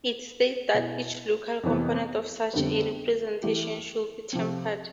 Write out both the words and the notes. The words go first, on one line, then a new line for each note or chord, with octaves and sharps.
It states that each local component of such a representation should be tempered.
B2 B3 E4
F2 C3 E3 B3
F2 D3 G3 B3
E3 A3 E4 G4
C3 F3 C4